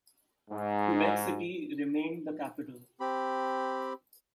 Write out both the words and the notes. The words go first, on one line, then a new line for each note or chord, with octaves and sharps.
Quebec City remained the capital.
G#2
C4 G4 B5